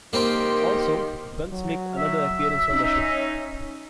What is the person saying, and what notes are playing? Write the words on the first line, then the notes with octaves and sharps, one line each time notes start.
Also, guns make another appearance on the show.
D#3 A#3 C4 G4 C6
F#3
E5
C#4 D#4